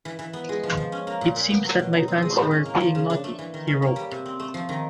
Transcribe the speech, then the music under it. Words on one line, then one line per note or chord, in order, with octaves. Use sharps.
"It seems that my fans were being naughty," he wrote.
E3
E3
B3
G#3
F3
F3
C#4
A#3
A#2
A#2
B3
F#3
B2
D#4
C4
G#3
A2
C#4
A#3
F3
C#3
D4
A3
E3
D#3
C#4
A#3
G3
C3
C4
A3
F3
D#3